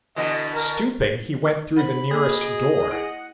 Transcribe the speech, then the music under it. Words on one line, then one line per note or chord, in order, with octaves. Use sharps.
Stooping, he went through the nearest door.
B2 D3 E3 D#5
A#4
C5 F#5 B5
A#3 G#4 D#5 D6
F#4
E4 F#5